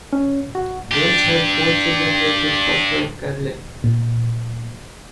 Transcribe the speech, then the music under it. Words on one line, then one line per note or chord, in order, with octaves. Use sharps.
Welch had four children with his first wife, Carolyn.
C#4
F#4
D4 G4
A#2